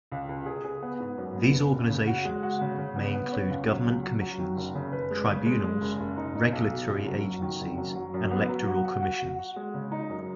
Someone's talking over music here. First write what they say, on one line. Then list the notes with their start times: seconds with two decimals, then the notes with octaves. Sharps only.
These organizations may include government commissions, tribunals, regulatory agencies and electoral commissions.
0.12 C#2
0.29 C#2
0.46 G#4
0.65 G#4
0.83 B3
1.00 G#2
1.17 F#2
1.36 B3
1.54 F#1
1.71 F#1
1.89 C#3
2.07 F#4
2.25 G#3
2.43 F#4
2.61 C#3
2.78 C#3
2.96 B3
3.14 B3
3.32 C#4
3.50 C#2
3.67 F#3
3.86 C#2
4.04 F#3
4.21 F#3
4.39 D#3
4.57 F#1
4.75 C#3
4.93 B4
5.11 G#3
5.28 C#3
5.46 G#3
5.64 G#3
5.81 F#1
6.00 F#1
6.17 D#4
6.35 D#4
6.53 B1
6.71 B2
6.88 F#1
7.06 F#3
7.24 F#3
7.42 D#3
7.60 F#1
7.78 F#3
7.95 F#3
8.14 F#2
8.31 B3
8.49 F#3
8.67 F#4
8.85 F#4
9.03 F#4
9.20 F#4
9.39 F#4
9.56 G#3
9.74 C#3
9.92 D#4
10.09 F#2